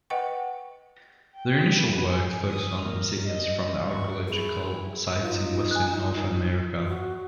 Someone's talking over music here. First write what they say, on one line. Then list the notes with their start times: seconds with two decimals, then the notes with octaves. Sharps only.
Their initial work focused on obsidians from archaeological sites in western North America.
0.10 B4 D#5 F#5 G5 C#6
1.35 G5
1.76 B4
2.09 G#4
2.49 D#6
2.83 A#4
3.25 D#5
3.88 F#4 C#6
4.28 E4 G#4
5.23 D#4 F4
5.71 G#5 F#6
6.86 F#4